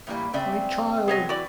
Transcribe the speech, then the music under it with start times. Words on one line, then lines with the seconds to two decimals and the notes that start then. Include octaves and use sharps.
My child!
0.07 A2 E3 G3 A#3
0.34 C#3 C4 D5 E5
1.08 C3 B3 G#4 C#5 D#5
1.29 E3 F#4 D5